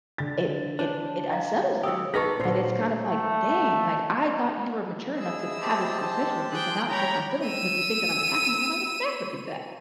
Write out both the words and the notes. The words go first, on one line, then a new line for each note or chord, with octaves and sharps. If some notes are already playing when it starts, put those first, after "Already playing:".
it it it unsettles them and it's kind of like, "Dang, like, I thought you were mature enough to have this conversation with me, so now it hurts my feelings because you think that I'm attacking you and I would never do that."
D3 A6
D4 C#5
D#5 F5 A#5
F#3 G4 D#6 E6
B3 D#4 G#4 A4 B4 D#5 C#6 A#6
A#2 D3 C5 C7
A3
E4 G#4 D#5 E6
G4 C5 A5
G#3
G#4 G5 F#6
G#4 C#5 G5 A#5 B5
E6 D#7